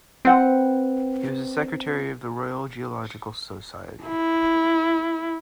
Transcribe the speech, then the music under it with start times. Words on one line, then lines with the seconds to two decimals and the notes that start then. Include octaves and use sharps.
He was a secretary of the Royal Geological Society.
0.25 C4 B4 F#5 G5
4.07 E4